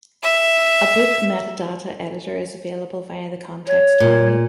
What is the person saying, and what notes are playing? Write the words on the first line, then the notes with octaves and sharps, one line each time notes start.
A book metadata editor is available via the context menu.
E5
C#5
A#2